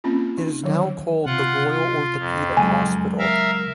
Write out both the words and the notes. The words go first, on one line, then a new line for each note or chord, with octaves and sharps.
It is now called the Royal Orthopaedic Hospital.
A#3 C4 C#4 F4
D#4
D3 D#3 F#3
C3 F4 F#5
F4
F2
C#3 F#3 G#3 G#5
A#4 E5 F5